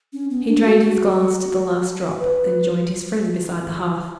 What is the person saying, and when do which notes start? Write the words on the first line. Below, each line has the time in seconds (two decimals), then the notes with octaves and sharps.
He drained his glass to the last drop, then joined his friend beside the hearth.
0.13 C#4
0.31 B3
0.48 D4
0.65 F#4
2.20 B4